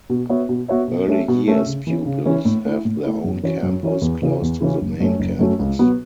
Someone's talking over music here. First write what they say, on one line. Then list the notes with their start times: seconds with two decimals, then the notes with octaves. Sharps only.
Early years pupils have their own campus, close to the main campus.
0.10 B2
0.29 B3 F#4 C#5 E5
0.49 B2
0.68 B3 F#4 C#5 E5
0.88 B2
1.07 A3 C#4 A4 E5
1.28 B2
1.48 A3 C#4 A4 E5
1.66 C#3
1.87 E3 C#4
2.05 C#3
2.25 E3 C#4
2.45 A2
2.65 A3 E4
2.85 A2
3.04 A3 E4
3.24 F#2
3.43 E3 C#4 F#4 C#5
3.63 F#2
3.83 E3 C#4 F#4 C#5
4.02 E2
4.22 C#3 E3 C#4 F#4
4.42 E2
4.61 C#3 E3 C#4 F#4
4.81 F#1
5.00 F#2 F#3 A3 C#4
5.20 F#1
5.39 F#2 F#3 A3 C#4
5.59 C#2
5.79 B2 F#3 B3 F#4